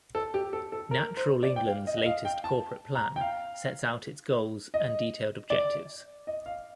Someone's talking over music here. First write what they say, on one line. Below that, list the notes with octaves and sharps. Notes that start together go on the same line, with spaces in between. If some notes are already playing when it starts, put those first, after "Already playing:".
Natural England's latest corporate plan sets out its goals and detailed objectives.
A4
G4
A4
A4
A#4
C5
D5
G5
F5
D#5
D#5
F5
G5
A5
A#5
G5
F5
D#5
D5
D#5
F5